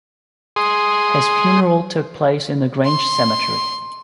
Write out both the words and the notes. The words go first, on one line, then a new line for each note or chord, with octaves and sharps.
His funeral took place in the Grange cemetery.
G#4 C6 D#6
C6